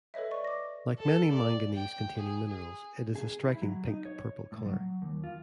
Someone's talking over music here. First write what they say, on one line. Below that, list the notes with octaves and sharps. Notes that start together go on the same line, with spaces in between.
Like many manganese-containing minerals, it is a striking pink purple color.
A4 B4 C#5 D#5 E5
D5 C#6
D6 A#6
A4
D5
G5
G#4
G#4
G#4
E4
F#3
D#4
C#5
A2
F#3
D#2
F4